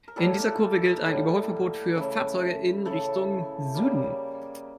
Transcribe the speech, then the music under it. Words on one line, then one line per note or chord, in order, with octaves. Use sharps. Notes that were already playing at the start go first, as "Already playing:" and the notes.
In dieser Kurve gilt ein Überholverbot für Fahrzeuge in Richtung Süden.
A#4
A2 G3 A#3 A4
A4
A4
A2 G3 A#3
C#3 E3 A3
C#3 E3 A3 A4
C#3 G3 A#3